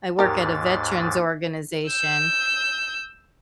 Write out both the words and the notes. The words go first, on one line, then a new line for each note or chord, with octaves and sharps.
work at a veterans organization,
D#2 G#2 G4 A#4 A6
E6 G6